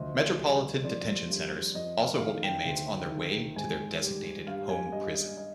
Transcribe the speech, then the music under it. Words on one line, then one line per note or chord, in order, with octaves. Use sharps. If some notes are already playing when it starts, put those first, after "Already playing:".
Metropolitan Detention Centers also hold inmates on their way to their designated 'home' prison.
Already playing: D2 F3 D#5
G3
F3 D5
G2
F2 D#5
F5
D#3 F5
G5
D2
D#3
G#2 G#5
G3
G2 F5
G#5
G2 D#5
D#5
D#5